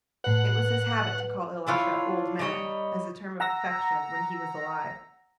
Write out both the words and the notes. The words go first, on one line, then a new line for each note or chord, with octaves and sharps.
It was his habit to call Ilusha "old man," as a term of affection when he was alive.
A2 B4 F#5
D4 E4 F4 C#5
G3 D#4 C#5 D#5
F#5 A#5 E6 A#6